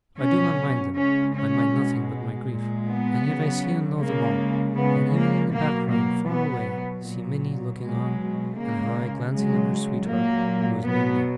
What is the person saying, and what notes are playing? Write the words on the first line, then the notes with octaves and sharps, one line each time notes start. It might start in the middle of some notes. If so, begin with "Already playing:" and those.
I do not mind them--I mind nothing but my grief--and yet I see and know them all; and even in the background, far away, see Minnie looking on, and her eye glancing on her sweetheart, who is near me.
B2 F#3 C#4
C#3 G#3 C#4
C#4
B2 G#3
A#2 G#3
B3
C#3 F#3
C#3 G#3 A#3
C#3 G#3 B3
A#3
B2 F#3 A#3
A#3
B2 F#3 B3
A#2 F#3
B2 F#3 G#3
C#3 G#3 A#3
C#3 F#3 G#3
A#2 F#3 A#3
B2 F#3 B3